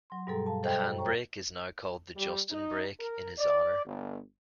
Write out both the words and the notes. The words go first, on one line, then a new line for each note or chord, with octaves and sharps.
The hand brake is now called the Justin Brake in his honor.
F#3 C6
G2 B2 G3 G#4 A4 A#5
F5 A5
A4 C5 D#5 E5 G5
F#2
C5 C#5 G5 A#5 C#6
G3
D#4
A#4
D5
G1